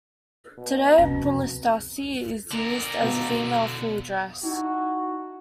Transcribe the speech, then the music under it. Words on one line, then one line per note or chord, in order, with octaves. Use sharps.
Today, puletasi is used as female full dress.
B2
F2 C3 C#4
D3 A#4
B2 B3 F5
D#4 E4 F#4